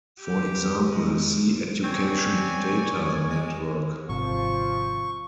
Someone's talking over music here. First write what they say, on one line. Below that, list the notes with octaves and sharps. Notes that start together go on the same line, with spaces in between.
For example, see Education Data Network.
G4
G#3
C4 C#5 D5 G#5
G#3
G#1 C3 F3 C#6